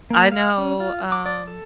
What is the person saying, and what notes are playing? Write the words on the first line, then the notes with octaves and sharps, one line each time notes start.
I know, um,
A#3
F5
C#4
F4
D6
D5
A4